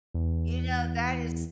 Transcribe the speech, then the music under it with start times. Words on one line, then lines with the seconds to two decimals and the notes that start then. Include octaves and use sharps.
You know, that is
0.14 E2